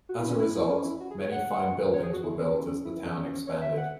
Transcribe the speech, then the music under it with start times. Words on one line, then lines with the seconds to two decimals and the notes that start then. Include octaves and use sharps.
As a result, many fine buildings were built as the town expanded.
0.09 F#4
0.19 E4
0.29 C#4
0.39 E4
0.55 E4
0.70 C#4
0.85 E4
1.00 F#4
1.11 G#4
1.22 C#5
1.32 F#5
1.93 C#5
2.03 G#4
2.13 F#4
2.23 E4
2.39 C#4
2.85 E4
2.95 E4
3.06 C#4
3.47 C#5
3.61 E5
3.77 F#5